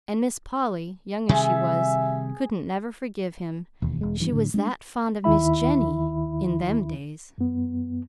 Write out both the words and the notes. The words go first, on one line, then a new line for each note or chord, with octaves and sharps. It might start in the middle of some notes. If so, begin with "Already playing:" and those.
An' Miss Polly--young as she was--couldn't never forgive him; she was that fond of Miss Jennie--in them days.
C3 D#3 G3 G#4 E5
E1 D#2
E1 G#3
G2 E3
A2 D3
G#3 B3 D4
D#2 D#3 E4 E5 B5
F#2 B3